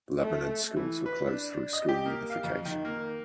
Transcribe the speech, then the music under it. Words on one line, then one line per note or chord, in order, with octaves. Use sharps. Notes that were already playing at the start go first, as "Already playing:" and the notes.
Lebanon schools were closed through school unification.
A3
E3
B4
D4
D#5
G4
A#3
F5
F2
D#3
A#3